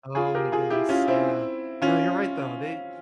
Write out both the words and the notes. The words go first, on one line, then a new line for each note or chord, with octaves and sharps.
Oh my goodness, yeah, no, you're right though, they
F4 G#4
G4 A#4
F4 G#4
E4 G4
C#4 F4
C4 E4
C#4 F4